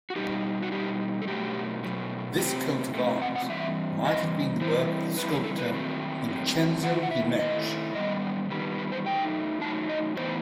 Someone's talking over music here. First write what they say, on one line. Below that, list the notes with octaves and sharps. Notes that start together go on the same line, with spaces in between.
This coat of arms might have been the work of the sculptor Vincenzo Dimech.
F#4
B2 G3 D#4 G4
F#4
B2 G3 D#4 G4
A4
B2 F#3 A3 G4
B2 F#3 A3
C3 F#3 A3 C4 G4
C3 F#3 A3 C4 A4
F#5
F#5
E3 G3 C4 E5
E3 G3 C4 D#5
E3 G3 C4 E4 C5
E3 G3 C4 E4 B4
A4
A4
B4
D#3 F#3 A3 C4
D#3 F#3 A3 C4
D#3 A3 E4 F#5
F#5
E5
D#3 A3 E4 D#5
D#3 G3 B3 D#5
D#3 G3 B3
B4
C5
F#3 A3 D#4 G5
F#3 A3 D#4 A5
D#5
A2 E3 B3 D#4 C5